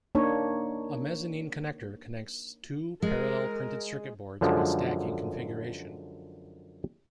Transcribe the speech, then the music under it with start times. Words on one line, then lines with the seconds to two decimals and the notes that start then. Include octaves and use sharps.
A mezzanine connector connects two parallel printed circuit boards in a stacking configuration.
0.15 A#3 D4 D#4 C#5
3.02 G#3 A#4
4.41 F#2 D3 F3 G#3